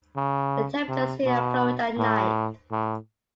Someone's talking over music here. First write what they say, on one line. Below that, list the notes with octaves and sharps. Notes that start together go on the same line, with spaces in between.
The temperatures here plummet at night.
C#3
C3
B2
A2
A2